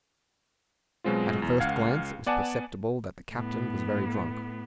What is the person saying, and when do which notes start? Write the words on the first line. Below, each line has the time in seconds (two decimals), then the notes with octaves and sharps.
At a first glance it was perceptible that the captain was very drunk.
1.04 B2 F#3 G#3 C4 F4
1.42 E2
1.60 C#2 F5 F#5 G#6
2.26 B3 D5 F#5 G#5 A5
3.32 A2 B3